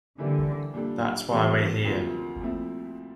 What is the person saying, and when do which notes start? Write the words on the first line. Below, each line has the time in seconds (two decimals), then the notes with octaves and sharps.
That's why we're here.
0.18 D3 E3 G3 A#3 E4 G4
0.74 A#2 G3 D4 A4
1.29 C3 E3 G3 A#3 F4 A4
1.85 D2 C3 F3 A#3 F4
2.40 A#2 F3 A3 C4 E4